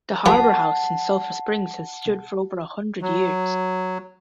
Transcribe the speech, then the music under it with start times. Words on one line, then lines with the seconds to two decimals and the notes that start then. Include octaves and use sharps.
The Harbor House in Sulphur Springs has stood for over a hundred years.
0.26 F3 G4 B4 F#5 A5
3.02 F#3